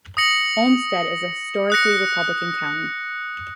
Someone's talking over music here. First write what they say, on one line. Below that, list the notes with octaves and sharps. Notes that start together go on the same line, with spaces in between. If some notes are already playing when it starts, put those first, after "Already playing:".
Olmsted is a historically Republican county.
D#6 A#6 C#7 F#7
D#6 F#6 A#6 C#7